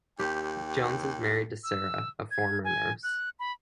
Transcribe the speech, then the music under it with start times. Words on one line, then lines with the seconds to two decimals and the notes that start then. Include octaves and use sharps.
Jones is married to Sara, a former nurse.
0.19 D#2 G4 G5
1.64 E6
2.31 G#6
2.64 G#5
3.03 F#6
3.39 B5